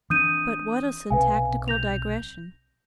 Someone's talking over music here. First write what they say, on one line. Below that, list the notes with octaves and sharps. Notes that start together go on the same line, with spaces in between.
But what a syntactical digression!
E3 C4 D4 D#6 G6 D#7
B1 C3 B4 F5 G#5
G6 A#6 F7